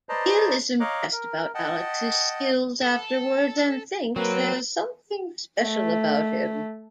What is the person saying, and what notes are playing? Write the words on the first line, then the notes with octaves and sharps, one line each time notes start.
Gill is impressed about Alex's skills afterwards and thinks there's something special about him.
B4 C5 D5 D#5 A5 A#5
C#5 D#5 F5 A#5 D6 F#6
A#4
D#5 F#5 G5 A5
A4
F#3 A#3 C4 B4
A3